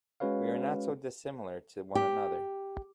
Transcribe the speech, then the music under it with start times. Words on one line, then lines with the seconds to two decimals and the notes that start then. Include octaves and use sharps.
We are not so dissimilar to one another.
0.20 G#3 C#4 F#4 B4 C#5 F5
1.95 G4